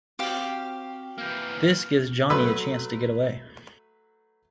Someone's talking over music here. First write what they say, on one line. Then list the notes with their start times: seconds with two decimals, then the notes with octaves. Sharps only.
This gives Johnny a chance to get away.
0.19 C4 F#4 G4 C5 F5
1.18 E3 A#3 F6 G6
2.30 F#3 A3 B4 B5 C6 E6